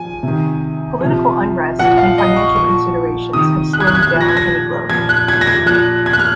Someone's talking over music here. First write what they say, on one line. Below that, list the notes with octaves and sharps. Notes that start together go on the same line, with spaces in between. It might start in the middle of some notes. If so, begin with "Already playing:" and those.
Political unrest and financial considerations have slowed down any growth.
Already playing: F3 G#5
C3 D#3
C3 F3
A#2 F3 F#5
F5
D#5
C#6
A#2 F3 C#6
C3 D#3 D#6
F#6
G#6
F#6
G#6
F#6
A#2 F3
A#6
G#6
A#6
A#2 F3 G#6
F#6
G#6
A#6
G#6
A#2 F3 F#6
G#6
F#6
F6